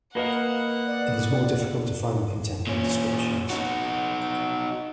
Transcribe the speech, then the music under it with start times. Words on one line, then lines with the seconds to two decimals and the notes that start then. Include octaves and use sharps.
It is more difficult to find contemporary descriptions.
0.15 A#3 F#4 A#4 B4 D#5 F#5
0.87 D5
2.67 A#2 C#4
3.50 D#4 F#4